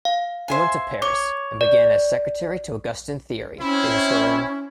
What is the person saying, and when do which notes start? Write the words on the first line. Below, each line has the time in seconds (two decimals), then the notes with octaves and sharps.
He went to Paris and began as secretary to Augustin Thierry, the historian.
0.05 F5
0.48 C5 E5 G#5
1.02 C#5 D6
1.61 D5
3.61 C4 C#4 E4